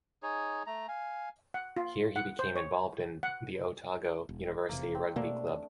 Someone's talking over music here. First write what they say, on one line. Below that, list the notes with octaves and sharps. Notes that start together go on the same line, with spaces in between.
Here he became involved in the Otago University Rugby Club.
D#4 G#4 C#5
A3 A#5
F5 G#5
F#5
F4
F#5
C5
C#5
F#5
E1
F1 E2 C3 A#3
C4
B2 A3 A#3 D4